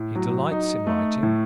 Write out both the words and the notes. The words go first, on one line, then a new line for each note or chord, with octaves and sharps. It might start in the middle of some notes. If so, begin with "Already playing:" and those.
He delights in writing.
Already playing: A2
F#3
D#4
A3
A2